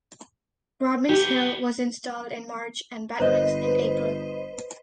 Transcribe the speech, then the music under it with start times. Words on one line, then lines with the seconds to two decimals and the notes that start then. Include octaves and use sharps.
Robin's hill was installed in March and Batman's in April.
1.09 C3 B3 G4
3.20 G1 B4 C5 D#5